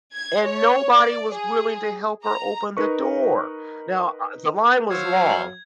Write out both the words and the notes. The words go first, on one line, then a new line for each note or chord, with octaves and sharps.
and nobody was willing to help her open the door. Now, uh, the line was long,
G#6
C#5
D5
G#4
A#5
D#4 A#4 B4 C#6
F#3 C5 F5 C#6 E6 G#6